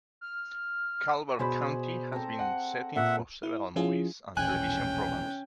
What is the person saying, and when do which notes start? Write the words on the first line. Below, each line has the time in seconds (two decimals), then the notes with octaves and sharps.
Calvert County has been the setting for several movies and television programs.
0.21 F6
1.39 B2 G#4 C5 D5 B5
2.12 C4 A4 A#5
2.39 F#5
2.96 A#2 E5 F#5
3.43 E4
3.76 F3 C#4 E4 F4 G#4
4.37 E1 A#1 C#4 G5 G#5 F#6